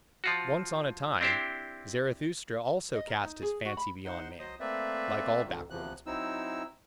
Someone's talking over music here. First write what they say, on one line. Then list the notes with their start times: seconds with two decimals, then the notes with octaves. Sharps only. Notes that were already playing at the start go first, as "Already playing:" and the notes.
Once on a time, Zarathustra also cast his fancy beyond man, like all backworldsmen.
0.24 F3 F4 F#4
1.21 C4 D4 E4 G4 C5
2.95 D#5
3.07 A#4
3.24 D#4
3.42 G#4
3.65 F#4
3.77 B5
4.05 D#4 C5 F#5 C6
4.39 F#3 C5 D#5 D#6
4.60 A3 A#3 C4 B4 D5 E5
5.44 F2 G#2 D3 D#3
5.70 E2 C3 E3 F3 F#6
6.06 F#3 C4 D#4 E4 E6